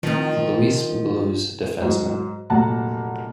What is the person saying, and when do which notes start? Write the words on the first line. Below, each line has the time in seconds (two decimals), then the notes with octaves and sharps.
Louis Blues defenseman.
0.03 D#3 F3 C4
1.82 G#2 F#3
2.50 F1 A#2 F#3 F#5 A5 A#5